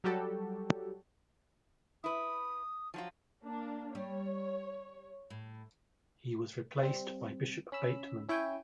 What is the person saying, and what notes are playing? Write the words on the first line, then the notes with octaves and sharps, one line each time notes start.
He was replaced by Bishop Batemen.
F#3 G3 F#4 G4 A4
E4 B4 D#6
F3 F#3 F4
A#3 D4
G3 C#5
A2
G3 C4
C#4 B5 E6
C#4 E4 C#5 E5 G5 G#5